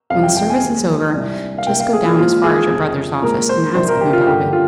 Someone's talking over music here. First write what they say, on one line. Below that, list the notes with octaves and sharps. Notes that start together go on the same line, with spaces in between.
"When service is over, just go down as far as your brother's office, and ask him about it."
F2 C3 G3 F5
G5
G5
G#5
D#2 D#3 G#3
C2 C3 G3 D4
F5
C3 G3 A#3 D4 G5
F5
G#4
F4
A#2 F3 G#3 C4 F4
G#4
F2 C3 F3
A#2 G#3 C4 A#4
C5
C3 D#3 A#3 D4 C5
A#4
G4
F4
G2 D3 F3 A#3 D4 G4
F4